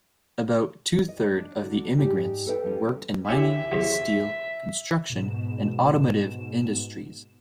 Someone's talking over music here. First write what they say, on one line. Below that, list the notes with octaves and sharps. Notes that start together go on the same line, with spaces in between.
About two-third of the immigrants worked in mining, steel, construction, and automotive industries.
D#5
D4
D3 D4 D#4 F#4
G#2 D4 D#4 G4
A4 B4 D5 G5
F3 G3 C#4
C#4 E4 G4 E5 B6
B1 E2 F#3
G#2 B2 E7